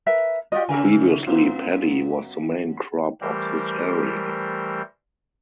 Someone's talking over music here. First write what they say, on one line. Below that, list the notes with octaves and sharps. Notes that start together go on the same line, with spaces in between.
Previously paddy was the main crop of this area.
A#4 B4 E5
F4 G4 D5 D#5
C#3 A#4 E5 G#5
F#2 B3 F4
E3 G3 A3 G4 A#4 C5